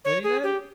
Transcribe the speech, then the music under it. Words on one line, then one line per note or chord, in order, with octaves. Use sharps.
"Ready then!"
C#5
G#4
G4